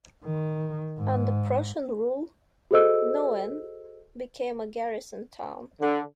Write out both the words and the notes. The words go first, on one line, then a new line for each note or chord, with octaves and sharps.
Under Prussian rule, Nauen became a garrison town.
D#3
G#2
F#4 G#4 A4 C5 D#5 E6
D3